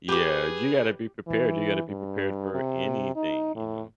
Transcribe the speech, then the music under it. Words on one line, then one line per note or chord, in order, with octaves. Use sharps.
Yeah, you gotta be prepared. You gotta be prepared for anything, you know?
G4 G#4 B4 D6
E3
G2
C3
D#4
A2